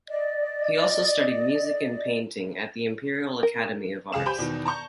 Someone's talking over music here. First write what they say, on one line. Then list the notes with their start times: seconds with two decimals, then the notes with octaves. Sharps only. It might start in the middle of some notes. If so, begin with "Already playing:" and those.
He also studied music and painting at the Imperial Academy of Arts.
0.08 D5 D#5
3.43 A#4
4.12 C#2 G#4 F5 E7
4.26 G4 C5 G#5 B5 G6
4.39 E2 B2 D#3
4.65 A5 A#5 C#6 G6